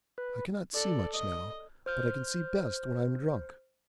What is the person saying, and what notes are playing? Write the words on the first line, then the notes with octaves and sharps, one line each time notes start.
I cannot see much now, but I can see best when I am drunk.
B4
A4 D5
D#5
C5 F6 G6